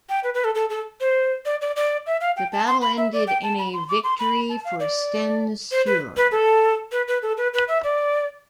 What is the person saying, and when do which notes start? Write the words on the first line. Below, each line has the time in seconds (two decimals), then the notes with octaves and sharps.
The battle ended in a victory for Sten Sture.
0.09 G5
0.24 B4
0.34 B4
0.44 A4
0.55 A4
0.70 A4
1.00 C5
1.45 D5
1.61 D5
1.76 D5
2.06 E5
2.21 F5
2.37 G5
2.52 A5
2.67 C6
2.82 B5
2.97 E5
3.13 D5
3.27 G5
3.43 A5
3.59 B5
3.73 C6
3.89 D6
4.04 C6
4.19 B5
4.49 A5
4.65 F5
4.80 D5
5.71 C5
5.87 B4
6.17 B4
6.31 A4
6.92 B4
7.08 B4
7.22 A4
7.38 B4
7.54 B4
7.68 E5
7.84 D5